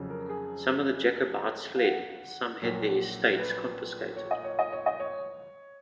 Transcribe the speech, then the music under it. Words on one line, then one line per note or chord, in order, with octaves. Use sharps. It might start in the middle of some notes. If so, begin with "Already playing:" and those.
Some of the Jacobites fled; some had their estates confiscated.
Already playing: F2 C#3 F#3
A#4
G#4
F5
F#5
A#1 A#2 F#3
B4
C#5
D#5
C#5
D#5
C#5
D#5
C#5